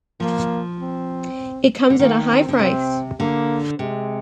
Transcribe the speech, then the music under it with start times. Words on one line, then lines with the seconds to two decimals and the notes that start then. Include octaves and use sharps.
It comes at a high price.
0.20 F3 A#3
0.80 C4
1.90 D3
1.99 D#3 A#3
2.29 C4
2.48 D3
2.59 C3 C4
3.19 D3 A#3
3.79 C3 G#3